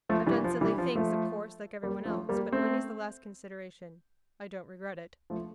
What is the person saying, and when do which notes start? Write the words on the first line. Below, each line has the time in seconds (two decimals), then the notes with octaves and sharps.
I've done silly things, of course, like everyone else, but money's the last consideration; I don't regret it.
0.09 F3 A3
0.26 E3 G3
0.44 F3
0.61 E3 G3
0.78 F3
0.95 F3 A3
1.83 G3 A#3
2.05 F3 A3
2.29 G3 A#3
2.52 A3 C4
5.30 F3 A3